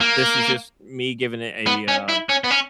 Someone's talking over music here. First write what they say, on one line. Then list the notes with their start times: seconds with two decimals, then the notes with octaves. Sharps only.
this is just me giving it a uh,
0.01 A#3
1.67 B3
1.88 C#4
2.09 E4
2.29 C#4
2.44 B3
2.51 C#4